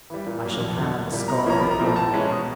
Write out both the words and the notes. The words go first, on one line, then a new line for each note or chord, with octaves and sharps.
I shall have a scarlet robe.
E3 G3
A#2
F#3 A#3 D4
F2
D3 F#3
C2
A#2 G3
C3 A#5
B5
F3 A#3 C#4 A#5
C2 B5
A#5
A#2 F3 A3 C4
A2 A5
E3 G#3 C#4
B2